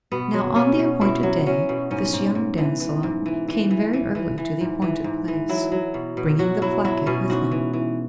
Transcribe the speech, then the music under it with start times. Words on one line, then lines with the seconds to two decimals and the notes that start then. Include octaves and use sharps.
Now on the appointed day this young dansellon came very early to the appointed place, bringing the flacket with him.
0.12 B2 B3
0.34 F#3
0.56 B2 C#4
0.79 B2
1.01 B2 E4
1.23 F#3
1.46 F#3 C#4
1.69 B2
1.91 G#2 C#4
2.13 G#2
2.35 G#2
2.58 E3
2.80 E3
3.03 G#2
3.26 E3
3.48 E3
3.71 E3
3.93 E3
4.15 E3
4.38 E3
4.61 G#2
4.82 E3
5.04 G#2
5.28 E3
5.49 F#3 E4
5.72 F#3
5.94 B2
6.17 B2
6.39 F#3 F#4
6.62 F#3 E4
6.85 F#3 E4
7.06 B2 C#4
7.30 G#2 F#4
7.51 E3
7.73 E3